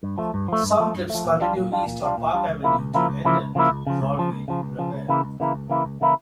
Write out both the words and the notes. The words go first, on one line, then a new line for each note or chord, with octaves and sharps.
Some trips continue east on Park Avenue to end at Broadway in Revere.
G2
F3 A3
G2
F3 A3
G2
F3 A3
G2
F3 A3
A#2
G3 D4 F4
A#2
G3 D4 F4
A#2
G3 D4 F4
A#2
G3 D4 F4
C#2
C#3 F3 A#3 E4
C#2
C#3 F3 A#3 E4
C#2
C#3 F3 A#3 E4
C#2
C#3 F3 A#3 E4
C#2
C#3 F3
C#2
C#3 F3
C#2
C#3 F3
C#2
C#3 F3
C#2
C#3 E3 A#3 E4
C#2
C#3 E3 A#3 E4
C#2
C#3 E3 A#3 E4
C#2
C#3 E3 A#3 E4